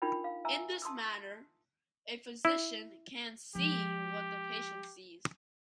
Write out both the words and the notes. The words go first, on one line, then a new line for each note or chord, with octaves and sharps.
In this manner a physician can "see" what the patient sees.
D4 D#4 F4 A#4 G5 B5
F5
E5 G#5 A#5 E6
A5 C6 D#6 E6
E4
F3 G#3 G4